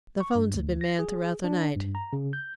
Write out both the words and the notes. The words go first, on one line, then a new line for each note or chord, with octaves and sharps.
The phones had been manned throughout the night.
C#6
G2
D2
A#6
G#4
D4
G2
A#5
C#3
G6